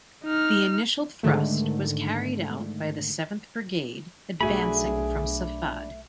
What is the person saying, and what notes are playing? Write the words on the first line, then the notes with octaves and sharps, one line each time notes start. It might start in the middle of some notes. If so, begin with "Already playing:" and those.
The initial thrust was carried out by the Seventh Brigade advancing from Safad.
D#4 F6
G#2 D3 D#3 A3
B1 A3 D4 F#4 G#4 E5 G#5 B5